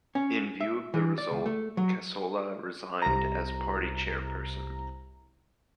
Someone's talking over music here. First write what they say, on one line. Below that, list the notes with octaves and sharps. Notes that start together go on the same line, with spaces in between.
In view of the result, Cassola resigned as Party Chairperson.
C#4
E5
E3
D5
C#2
A3
F#3
C2 A#5